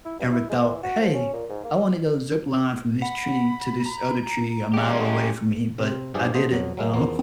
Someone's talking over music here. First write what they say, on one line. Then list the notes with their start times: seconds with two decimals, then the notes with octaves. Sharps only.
ever, thought, "Hey, I wanna go zipline from this tree to this other tree a mile away from me," but I did it, um
0.05 E4
0.19 G2
0.33 E4
0.50 G#3
0.65 E3
0.83 F#4
1.00 F3
1.14 C#4
1.33 A#2
1.50 G#2
1.64 A#3
3.02 F#5 B5
3.86 A#5
4.74 G#3 C#4 G4 F#5
5.79 C3 C4
6.14 G2 F3 G4 G#4 D5 E5
6.34 A3 B3 C5 D#5
6.51 F2 B2 F#3
6.77 F#3 G#3 A#3
6.93 E2 F3 A#3 B3